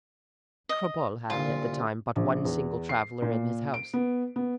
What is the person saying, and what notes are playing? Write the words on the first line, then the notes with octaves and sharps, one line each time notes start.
Cropole had, at the time, but one single traveler in his house.
D#5
C2 A#2 D3 F4
A#1
E2
C7
A#2
D7
B3
B3